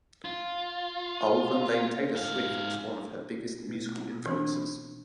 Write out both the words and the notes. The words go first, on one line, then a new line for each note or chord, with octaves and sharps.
Ulven named Taylor Swift as one of her biggest musical influences.
F4
G#2 F5
B2
E3 C4 D4